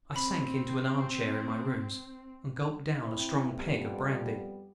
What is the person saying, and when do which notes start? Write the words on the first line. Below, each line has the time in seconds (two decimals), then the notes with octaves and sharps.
I SANK into an arm-chair in my rooms and gulped down a strong peg of brandy.
0.16 C4 B5
3.02 C4 E4
3.52 F2 G3 B3